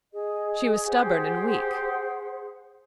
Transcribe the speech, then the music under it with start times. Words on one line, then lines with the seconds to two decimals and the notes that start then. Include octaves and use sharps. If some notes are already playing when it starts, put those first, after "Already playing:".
She was stubborn and weak.
0.13 G#4 D#5
0.87 G4 C5 F#5